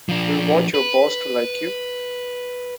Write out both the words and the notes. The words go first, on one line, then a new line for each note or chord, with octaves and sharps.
Do you want your boss to like you?
F3 D4
B4